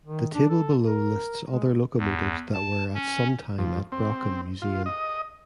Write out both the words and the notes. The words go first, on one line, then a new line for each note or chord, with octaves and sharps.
The table below lists other locomotives that were at some time at Brockham Museum.
D#3
D4
A4
A#4
G#3
E2
A5
C#4
F2
C4
F4
D#5